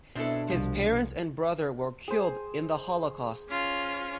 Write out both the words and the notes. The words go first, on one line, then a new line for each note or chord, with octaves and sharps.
His parents and brother were killed in the Holocaust.
B2 C4 D4 E4 A4
C2 F3
G#4 C5
C#4 F4